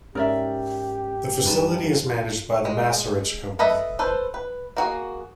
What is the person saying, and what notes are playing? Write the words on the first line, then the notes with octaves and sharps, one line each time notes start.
The facility is managed by The Macerich Company.
G#2 C#4 G4 A#4 D5 E5
F#2 G3 D4 D#4 B4 A5
F4
G#3
A4 B4 D#5 E5
A4 B4 C5
B4
A#3 F#4 G#4